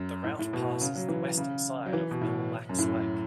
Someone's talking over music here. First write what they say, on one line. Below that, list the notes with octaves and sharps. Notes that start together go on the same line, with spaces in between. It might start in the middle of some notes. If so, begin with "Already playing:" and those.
The route passes the western side of Mille Lacs Lake.
Already playing: F#2
A2
A2
B2
C#3
F#3
E3
C#3
F#3
E3
B2
A2
F#2
A2